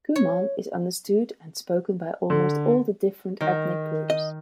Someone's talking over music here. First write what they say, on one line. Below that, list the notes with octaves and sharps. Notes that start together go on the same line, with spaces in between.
Kuman is understood and spoken by almost all the different ethnic groups.
C#5
D3
D#3
D#5